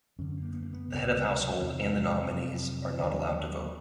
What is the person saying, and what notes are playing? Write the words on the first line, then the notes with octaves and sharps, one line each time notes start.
The Head of Household and the nominees are not allowed to vote.
F#2 D3 C#4
C#4
A#3
B3
A#3
B3
C#2 C3
G#3
G3
F#3
E2 C3 D#3
F3
F3
F2 C3 F#3
D#2 D3 F3
E3
E3
F3
F#3